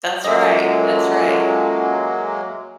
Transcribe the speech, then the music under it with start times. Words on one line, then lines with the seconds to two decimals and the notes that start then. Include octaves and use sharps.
That's right, that's right.
0.24 F#3 G#3 A#3 C#4 F4 A4 D#5 E5